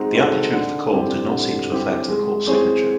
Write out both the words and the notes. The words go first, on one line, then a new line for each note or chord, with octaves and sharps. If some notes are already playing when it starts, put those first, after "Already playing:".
The amplitude of the call did not seem to affect the call signature.
Already playing: G#3 C4 D#4 F#4
C4 D#4 F#4 A4
D3
G3 C4 E4 G4
D3
G3 C4 E4 G4
G#3
C4 E4 G#4 C#5